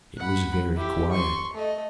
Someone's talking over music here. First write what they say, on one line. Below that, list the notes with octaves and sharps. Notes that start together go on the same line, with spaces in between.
It was very quiet.
F#5 B5
E4 G4
C6 C#6
A3 D#5